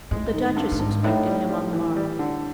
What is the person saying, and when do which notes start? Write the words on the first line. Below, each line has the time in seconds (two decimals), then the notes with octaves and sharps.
But the Duchess expected him on the morrow.
0.11 A2 G#3
0.33 D#3
0.57 G2
0.72 G#2
0.80 G2
1.03 A2 D#4
1.27 G3
1.49 G3
1.73 E3
1.96 G3
2.19 D3